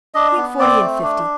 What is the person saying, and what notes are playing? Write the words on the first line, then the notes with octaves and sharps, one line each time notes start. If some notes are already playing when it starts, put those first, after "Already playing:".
"Between forty and fifty."
D4 D#5
B3
C4 D5
A3
D4